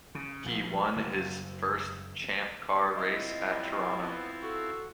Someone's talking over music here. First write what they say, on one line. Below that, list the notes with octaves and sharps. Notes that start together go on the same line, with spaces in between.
He won his first Champ Car race at Toronto.
C#3
A#1
F#1
C4 E4 F4 D#5
G3
B3
F#4 A4